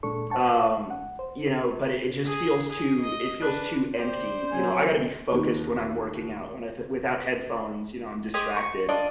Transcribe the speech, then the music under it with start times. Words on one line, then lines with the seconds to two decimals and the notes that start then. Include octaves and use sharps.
um, you know, but it it just feels too it feels too empty, you know? I gotta be focused when I'm working out. When I th without headphones, you know, I'm distracted.
0.03 D#2 A#2 G#3 D4 A4 C#6
0.30 C5 F#5 G5 A5 C#6
0.90 F#5
1.19 C5
2.24 G#4
2.68 G#4
3.00 D#5
3.39 D4 B4
3.98 G4 C5 D5
4.52 F2 F#3 G#5
5.32 D#2
8.34 G4 G#4 C5 D#5
8.57 C#6
8.89 D4 F4 D5 D#5